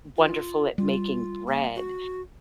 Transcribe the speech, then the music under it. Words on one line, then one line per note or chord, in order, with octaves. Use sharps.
wonderful at making bread,
F4
G3 F4
A#3
F#4